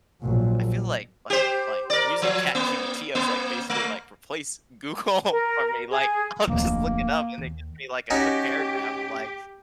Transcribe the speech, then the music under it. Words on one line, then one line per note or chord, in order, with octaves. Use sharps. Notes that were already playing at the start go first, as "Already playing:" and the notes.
I feel like like like using ChatGPT, I was, like, basically, like, replace Google for me, like, I'll just look it up and they give me, like, a quick paragraph of, like,
A#1 F#3
G4 C5
A#4 D5
F3
A#3
A#3
A3
A#4
G#4
D1 F2 A#3
D#2
C#4 D#4 F#4 G4